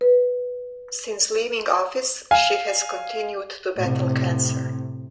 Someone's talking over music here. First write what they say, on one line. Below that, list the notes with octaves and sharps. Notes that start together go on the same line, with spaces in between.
Since leaving office, she has continued to battle cancer.
B4
F5 G#5
A2 C3